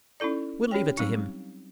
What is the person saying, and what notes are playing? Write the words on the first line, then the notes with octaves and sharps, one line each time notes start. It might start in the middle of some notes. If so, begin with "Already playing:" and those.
We'll leave it to him.
C#4 D#4 E4 A4 D5
C#4 G4 C#5 G5
F#3 G3 C4 D#4